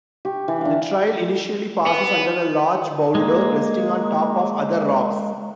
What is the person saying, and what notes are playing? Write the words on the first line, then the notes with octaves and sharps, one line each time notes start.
The trail initially passes under a large boulder resting on top of other rocks.
G4 C#6
E3
D4 F5
B3
G#3 A#3